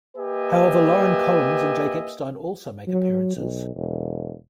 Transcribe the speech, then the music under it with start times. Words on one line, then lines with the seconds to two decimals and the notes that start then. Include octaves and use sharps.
However, Lauren Collins and Jake Epstein also make appearances.
0.17 A#3 G4 B4 D#5 E5 G#5
2.88 F#3
3.36 B1
3.76 E1